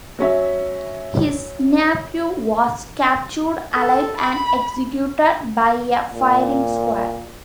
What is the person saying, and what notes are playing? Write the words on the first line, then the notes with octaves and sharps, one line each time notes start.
His nephew was captured alive and executed by a firing squad.
F#3 C#4 E5
A4
B5
A#2